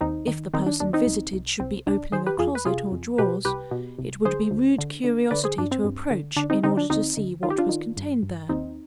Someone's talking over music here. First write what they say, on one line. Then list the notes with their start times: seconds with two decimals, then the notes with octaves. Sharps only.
If the person visited should be opening a closet or drawers, it would be rude curiosity to approach in order to see what was contained there.
0.01 D#2 C4 D#4
0.28 D#3
0.54 D#3 C4 D#4
0.66 D4
0.80 D#2 D4
0.93 C4 D#4
1.06 C2
1.33 C2
1.60 C2 C4
1.87 C2 D4
2.12 D#3 G#4 C5
2.26 G4 B4
2.39 F2 F4 G#4
2.55 B4
2.65 C3 F4 G#4
2.92 F2
3.18 B2 G4 B4
3.45 C2 G4 B4
3.71 B2
3.99 C2
4.25 D2 G#4 C5
4.51 D2
4.78 D3
5.04 D3
5.31 D3 B4 D5
5.44 G#4 C5
5.58 G2 D4
5.71 C4
5.84 G2
6.11 D3
6.36 D3 D4
6.50 C4 D#4
6.63 D3 C4 D#4
6.77 D4
6.90 D2 C4 D#4
7.17 D2
7.43 D#3 F4
7.50 G4
7.58 D4 F4
7.69 D#3
7.97 G2
8.23 G2
8.49 D#2 C4 D#4